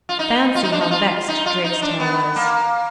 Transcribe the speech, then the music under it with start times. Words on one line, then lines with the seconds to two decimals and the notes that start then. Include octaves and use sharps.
Fancy how vexed Drakestail was!
0.09 F4
0.19 D#4
0.55 F4
0.64 D#4
0.72 D4
0.81 D#4
0.91 F4
1.28 D#4
1.46 F4
1.64 D#4
1.82 D4
2.00 B3
2.36 A#3